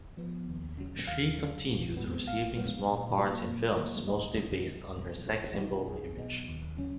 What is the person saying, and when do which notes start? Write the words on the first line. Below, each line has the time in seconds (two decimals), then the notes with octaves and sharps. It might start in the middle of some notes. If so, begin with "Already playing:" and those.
She continued receiving small parts in films mostly based on her sex symbol image.
0.17 F3 B3
0.48 D#2
0.78 C#3 F#3
1.07 D#2 F5
1.38 C#3 F#3
1.68 A#1
1.97 G#2 F#3 B3
2.27 A#1 F5
2.57 G#2 F#3 B3
2.87 A#2
3.18 F#3 A#3
3.48 A#2
3.78 F#3 A#3
4.07 C#2 D#5
4.37 B2 F#3
4.68 C#2
4.98 B2 F#3
5.28 B1 C#5
5.57 B2 F#3 B3 D#4 F#4
5.72 F4
5.87 B1 G#4
6.17 B2 F#3 B3 D#4
6.48 D#2
6.77 C#3 F#3 C#4